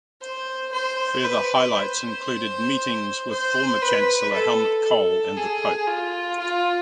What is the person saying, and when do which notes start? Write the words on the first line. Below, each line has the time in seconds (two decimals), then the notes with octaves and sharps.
Further highlights included meetings with former Chancellor Helmut Kohl and the pope.
0.21 C5
0.72 C5
1.24 B4
1.75 C5
3.30 C5
3.82 B4
4.33 A4
4.84 A4
5.37 G#4
5.87 F4
6.39 F4